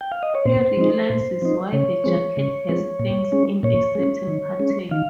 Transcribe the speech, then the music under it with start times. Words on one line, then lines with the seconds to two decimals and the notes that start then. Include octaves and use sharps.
He realizes why the jacket has stains in a certain pattern.
0.01 G5
0.12 F5
0.23 D#5
0.35 C#5
0.45 A#2 C5
0.77 F3 C4 D#4
1.10 A#2
1.42 F3 C4 D#4
1.73 C#3 C#5
2.04 F3 G#3 C4
2.37 C#3
2.69 F3 G#3 C4
3.00 A#2
3.32 G#3 C#4
3.63 A#2 C#5
3.95 G#3 C#4
4.27 D#3
4.59 G#3 C#4
4.91 D#3 F5